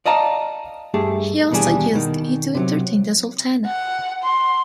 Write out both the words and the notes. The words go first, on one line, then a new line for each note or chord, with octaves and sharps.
He also used it to entertain the Sultana.
D5 D#5 F5 A5 A#5
G2 A3 G4 G#4 A5
D#2 B2 E3 G3 D4 G#4
B2 D#3
C3 E3 F#3
F#5
C6